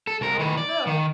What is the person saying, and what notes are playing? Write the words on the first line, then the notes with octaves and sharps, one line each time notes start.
'Down you go!
A4
C2 A#4
D#3 E3
D5
D#3